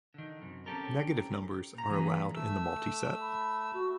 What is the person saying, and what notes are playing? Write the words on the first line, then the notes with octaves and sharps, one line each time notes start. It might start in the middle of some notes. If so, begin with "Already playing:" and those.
Negative numbers are allowed in the multiset.
D3 D#3
F#2 C3
C4 C#4 G4 A4 A#4
A#2 A#5
E3 A#3 G#4 B4
A3 E6
B5
F#4